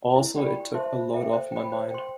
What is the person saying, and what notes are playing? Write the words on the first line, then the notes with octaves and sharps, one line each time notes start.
Also it took a load off my mind.
E4
G4 D5 G5 B5
G4
C5 E5 A5 C6
F4
A4 E5 G5
C5
G5 B5
C5
G5 C6